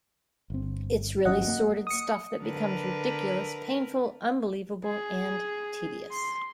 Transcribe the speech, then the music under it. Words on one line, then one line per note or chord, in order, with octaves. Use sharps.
It's really sordid stuff that becomes ridiculous, painful, unbelievable and tedious.
G1 C4
G#1 F#3 C#4 D#5 F#5
A#3
D#6 C#7
D3 A#4 B4
G#4
C6